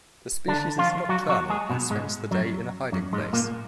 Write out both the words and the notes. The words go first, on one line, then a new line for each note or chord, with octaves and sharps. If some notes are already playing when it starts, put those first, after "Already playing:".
The species is nocturnal and spends the day in a hiding place.
D3 D4
F3 F4
F#3 F#4
F#3 F#4
G#3 G#4
B2 B3
G#2 G#3
F#2 F#3
F#2 F#3
G#2 G#3
A#2 A#3